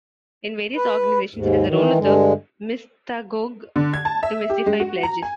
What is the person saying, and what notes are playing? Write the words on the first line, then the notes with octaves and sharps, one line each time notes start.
In various organizations, it is the role of the mystagogue to "mystify" pledges.
B4
D#2 G#2
D#3 E3
G2 D3 G#3
D3
G#6
A5
E5
G4
G#3
F#4
A#5
G#5